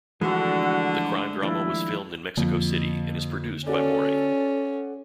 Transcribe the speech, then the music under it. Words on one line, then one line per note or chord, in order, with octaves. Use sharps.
The crime-drama was filmed in Mexico city and is produced by Mori.
D3 E3 F3 G#3 A3 F#4
D#2 F3 D4 E4
F2 D3 A#3
C#4 F#4 A4 D5